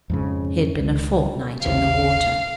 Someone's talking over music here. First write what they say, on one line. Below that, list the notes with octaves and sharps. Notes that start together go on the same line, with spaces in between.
He had been a fortnight in the water.
F2 G#2 C#3
C#2
A1 D#2 C3 F5